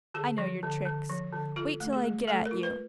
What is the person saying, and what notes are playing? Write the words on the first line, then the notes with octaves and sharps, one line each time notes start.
I know your tricks! Wait till I get at you!
D3 G#4
F3
D3
D3
F3
D3
F4 A4
A3
G#4
A3
A3 A4
A#4
F4
B4